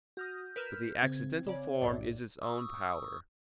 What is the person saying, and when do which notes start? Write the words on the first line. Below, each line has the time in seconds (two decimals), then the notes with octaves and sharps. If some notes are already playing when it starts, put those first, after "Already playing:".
But the accidental form is its own power.
0.17 F#4 D#6 F6 G6 A#6
0.56 A#4 B4 F6 F#6 B6 E7
1.03 C#3 C4 G#6
1.47 C#3 C#5 D5
1.82 B1 F#2 A2 D5
2.43 C#6 D#6 E6